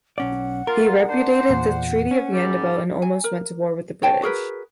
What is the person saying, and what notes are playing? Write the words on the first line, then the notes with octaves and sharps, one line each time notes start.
He repudiated the Treaty of Yandabo and almost went to war with the British.
B1 C#4 D5 F#5
A#3 F4 A#4
D4 C5
E2 A#2
C#4
D#2 G#2 G3
G#5
A#4
C#5 G5 A5
F#4 G#4 A#4 B4